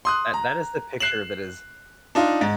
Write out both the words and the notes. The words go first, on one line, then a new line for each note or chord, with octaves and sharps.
that that is the picture that is
C6 D#6 F#6
A#5
F#6 C7 E7 F#7
D4 D#4 F4
G#2